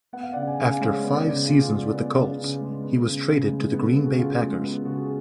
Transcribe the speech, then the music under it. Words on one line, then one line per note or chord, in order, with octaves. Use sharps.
After five seasons with the Colts, he was traded to the Green Bay Packers.
B3 F#5
F5
D5 F#5
C#3
G#5
C#3
F5 G#5
G#3 C#5 F5
B3
B4 D5
C#3
C#3 F4 G#4
G#3
B3
C#3
C#3
G#3
B3
C#3
C#3
G#3
B3
A4
C#3 G#4
F#4
C#3 F4
G#3
B3
C#3 F#4
G#4